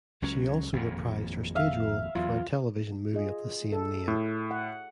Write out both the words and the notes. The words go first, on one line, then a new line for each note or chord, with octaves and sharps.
She also reprised her stage role for a television movie of the same name.
C#2 F#3 C#4
G#1 F2 A#2
E5 F5
E2 F#3 F4
F4 G#4 D#5
A4
A2
F#5